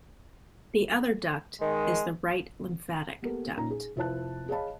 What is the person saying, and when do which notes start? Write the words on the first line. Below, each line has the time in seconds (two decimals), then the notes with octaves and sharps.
The other duct is the right lymphatic duct.
1.61 D#3 G#3
3.22 A#3 B3 G4 A4 A#4
3.57 A#2 C#4 D#4 A#5
3.70 G#4
3.96 F1 E4 F4 C5 A5 F#6
4.49 G#4 C#5 D#5 F5 A5 B5